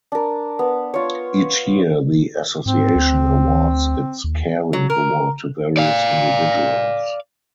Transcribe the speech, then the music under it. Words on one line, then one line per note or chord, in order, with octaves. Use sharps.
Each year the Association awards its Caring Award to various individuals.
D4 A#4
B3
F4 C#5
G#2 C4
D2
D#2
F#3
A#4
D5 F5